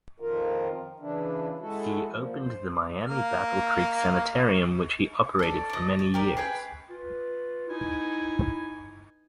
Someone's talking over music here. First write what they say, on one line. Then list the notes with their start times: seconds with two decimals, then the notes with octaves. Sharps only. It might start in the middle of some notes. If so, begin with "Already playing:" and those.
He opened the Miami Battle Creek Sanitarium which he operated for many years.
0.20 F2 D#3 F3 F4 A#4
1.00 C#3 E3 D4 E4
1.60 G#3 E4 F#4 A4
2.10 A#2 F3
2.38 C5
3.07 A#3 F6
5.39 A4 D5
5.69 D5 D#5
5.99 D5
6.14 G4 A#4 D5
6.37 G#4 B4 G5
6.90 F4 B4
7.69 D#4 E4 G#5